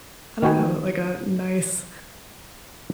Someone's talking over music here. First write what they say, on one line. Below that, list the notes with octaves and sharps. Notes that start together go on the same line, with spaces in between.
I don't know, like a nice
D#3 B3 F#4 G5 G#5